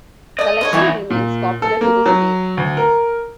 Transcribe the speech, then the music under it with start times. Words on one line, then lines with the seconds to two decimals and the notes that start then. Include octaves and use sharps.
The collection remains popular to this day.
0.39 A3 D5 D#5
0.61 D3 G#3 C#5
0.73 E3 E4 C#5 D#5 F#5 G#5
1.10 A#2
1.62 A4
1.81 A#3
2.06 F#3
2.57 D2
2.77 A#4